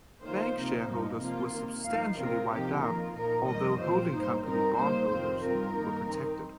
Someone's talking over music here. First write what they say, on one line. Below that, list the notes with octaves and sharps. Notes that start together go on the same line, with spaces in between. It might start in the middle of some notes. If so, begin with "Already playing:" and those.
Bank shareholders were substantially wiped out, although holding-company bondholders were protected.
D#3 A#3 F4 C5
C3 F3 A#3 D#4
G2 F3 A#3 D#4
C3 F3 A#3 F4
C3 D#3 A#3
G2 F3 D#4 F5
C3 D#3 C4 F4 A#4
C3 F3 A#3 D#4 G4
F2 D#3 A#3 F4 A#4
A#2 F3 D#4 A#4
F2 D#3 G3 A#3 D#5
A#2 F3 C4 F4 C5
G2 G3 A#3 D#4
G2 G3 C4 D#4 A#4
A#2 G3 A#3 D#4 C5
F2 C3 D#3 C4 F4
G2 D#3 C4 F4 A#4
G2 D#3 A#3 D#4
D#3 C4 D#4